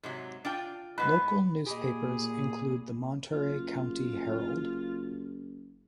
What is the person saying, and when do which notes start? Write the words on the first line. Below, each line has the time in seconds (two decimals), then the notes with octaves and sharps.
Locale newspapers include the "Monterey County Herald".
0.03 G#2 C3 F#3
0.45 D4 F4 G5
0.98 G#2 B3 B4
1.67 A#2 G4 G#4 D#5 G#5 B5 D6
3.33 F#1 F4